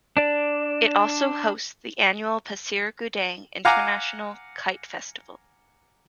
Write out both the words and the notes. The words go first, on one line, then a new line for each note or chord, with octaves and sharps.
It also hosts the annual Pasir Gudang International Kite Festival.
D4 D5
F5 F#5 G#5 A#5 D6